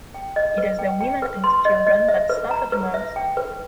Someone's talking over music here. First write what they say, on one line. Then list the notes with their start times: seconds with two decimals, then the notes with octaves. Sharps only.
It is the women and children that suffer the most.
0.14 G5
0.36 D#5
0.58 B4
0.79 G5
1.00 G5
1.22 B4
1.44 C6
1.65 D#5
1.87 D#5
2.08 E5
2.29 B4
2.51 A#5
2.72 B4
2.94 E5
3.16 G5
3.37 B4